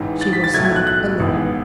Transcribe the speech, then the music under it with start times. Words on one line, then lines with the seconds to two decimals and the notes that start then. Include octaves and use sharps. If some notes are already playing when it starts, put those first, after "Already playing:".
She was not alone.
Already playing: A1 G#2 E3
0.21 A6
0.33 B6
0.44 A6
0.54 B1 A2 F#3 A3 G#6
0.65 G#6
0.76 F#6
0.87 F#6
1.20 A1 G#2 G#3 B3